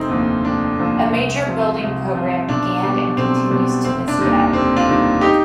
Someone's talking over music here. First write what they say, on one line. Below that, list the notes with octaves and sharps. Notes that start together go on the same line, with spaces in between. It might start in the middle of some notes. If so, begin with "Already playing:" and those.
A major building programme began and continues to this day.
Already playing: F1 C4 D#4
D#2 D3 F3
F1 D4
D#2 D3 F3
C2
C3 F3
C2
C3 F3
B1 D4
B2 G3
B1 C4
B2 G3
F1 C4
D4
D#2 D#3 G3
F1 C4
D4 F4
D#2 D#3 G3
D#4 G4